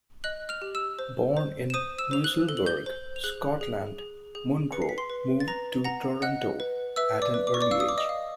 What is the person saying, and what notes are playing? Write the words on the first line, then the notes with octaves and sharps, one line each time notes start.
Born in Musselburgh, Scotland, Munro moved to Toronto at an early age.
D#5 F#6 F#7
F6 F7
G4
E6 E7
C5
C5
E7
C5 D#6 D#7
E6 E7
C5 F7
F#6 F#7
A4 G7
F#7
G6 G7
C5
F7
G#4 F#6 F#7
G#4
G#4
G#4
B4 C#7
C7
B6
C6 C7
B4
A6
B4 A#5 A#6
F#5 A#5 A#6
D#5 F#5 F#6
B4
B4 E5 E6
D5 D6
B4
D6
C#6
D5 D6
F5 E6
D#6
D6
D#5 D#6
F5